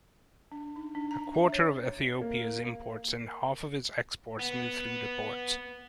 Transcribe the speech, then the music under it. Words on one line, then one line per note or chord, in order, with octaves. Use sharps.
A quarter of Ethiopia’s imports and half of its exports move through the ports.
D4
D#4
D4
A#5
E5
C#5
A#3
B3